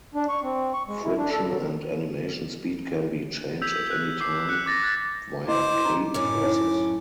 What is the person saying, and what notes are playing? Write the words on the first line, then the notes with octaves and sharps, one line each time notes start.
Friction and animation speed can be changed at any time via key presses.
D4
C#6
C4
C#6
G#3
E4
D4
A4
F#3
E6 G6 G#6 B6 F7 F#7
F#6
D6 G6 C7
E6 F#6 C#7
D6 A6 A#6
F#6 G#6 A6 B6
E4 C5 D#5 D6
D#4 A#5
F#2 A2 C#4 D6
D#4 C#5